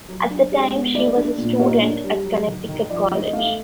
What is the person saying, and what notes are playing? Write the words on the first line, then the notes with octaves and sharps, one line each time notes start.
At the time, she was a student at Connecticut College.
F#3
D4
G#3
B3
A3 D5
D4
A#2
A#3 C#5
D4
G3
F#3
D#3
D#3
F3 D5
A3 D#5
A3 F5